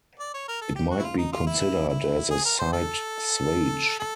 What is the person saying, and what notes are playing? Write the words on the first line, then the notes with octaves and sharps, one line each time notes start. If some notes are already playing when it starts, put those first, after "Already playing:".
It might be considered as a side swage.
D5
C#5
A#4
A4
G4
F#4
E4
F4
D#4
F4
E4
E4
G#4
A#4
C5
A4
A4